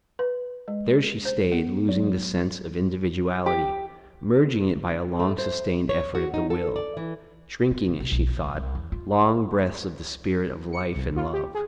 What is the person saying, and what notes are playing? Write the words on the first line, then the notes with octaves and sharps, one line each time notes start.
There she stayed, losing the sense of individuality, merging it by a long sustained effort of the will, drinking, as she thought, long breaths of the spirit of life and love....
B4
G#3
C5
B3
F#3
G4
A3
C5
C#5
F#4
D#4
A4
D5
E3
C4
C3
C3
B1
C3
C2
C2
E2
F4
C#7
C2
F4
G4
G#4